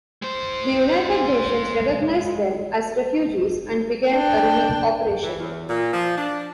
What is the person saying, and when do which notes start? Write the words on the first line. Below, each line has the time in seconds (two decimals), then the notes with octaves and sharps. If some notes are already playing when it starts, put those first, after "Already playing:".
The United Nations recognised them as refugees and began a relief operation.
0.22 G#3 C5
4.11 D4 G5
5.23 E3
5.38 E2
5.69 A#2
5.93 F3
6.18 D4